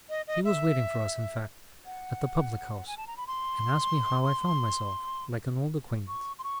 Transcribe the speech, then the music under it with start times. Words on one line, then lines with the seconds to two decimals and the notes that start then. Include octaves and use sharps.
He was waiting for us, in fact, at the public-house; and asked me how I found myself, like an old acquaintance.
0.09 D#5
0.27 D#5
0.45 E5
1.86 F#5
2.87 G#5
2.97 A5
3.07 A#5
3.17 B5
3.27 C6
6.08 C#6
6.39 C6
6.44 C#6